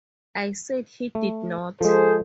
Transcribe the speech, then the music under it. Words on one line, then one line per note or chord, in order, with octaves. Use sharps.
I said he did not.
A3
F3 G#3 G#4 A4 C5